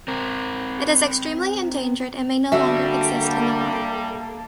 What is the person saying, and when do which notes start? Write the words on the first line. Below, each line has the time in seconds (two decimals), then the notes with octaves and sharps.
It is extremely endangered and may no longer exist in the wild.
0.08 C4 A#4
2.52 D3 G3 A#3 F#4 A4 E5 E6